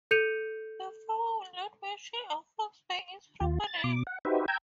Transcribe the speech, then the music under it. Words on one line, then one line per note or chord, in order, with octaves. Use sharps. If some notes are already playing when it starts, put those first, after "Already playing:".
The farmer will not mention a fox by its proper name.
A4 G6 C#7 D#7 F7
D#2 F4
A6
B2 D6
F#5
D#4 F#4 G4 B4 C5 E5
G5 A#5 E6 G6 G#6